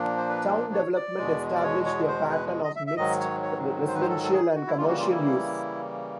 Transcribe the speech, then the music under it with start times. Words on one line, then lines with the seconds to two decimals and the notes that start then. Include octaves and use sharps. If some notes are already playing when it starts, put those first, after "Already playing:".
Town development established a pattern of mixed residential and commercial use.
Already playing: A#2 F3 A#3 D4
0.17 C5
0.29 B4
0.73 C#5
0.96 D5
1.18 E2 B2 G#3
1.55 D5
1.63 C#5
1.85 C#5
2.08 C5
2.30 B4
2.64 D#5
2.76 E5
2.87 E5
2.97 G#2 D#3 F#3 D#5
3.21 C#5
3.43 C#5
3.88 C5
3.95 B4
4.01 C5
4.09 A4
4.23 A4
4.32 G#4
4.55 F#4
4.67 E4
4.77 C#3 E3 G3 A#3 F4
4.89 F#4
5.00 F4
5.11 E4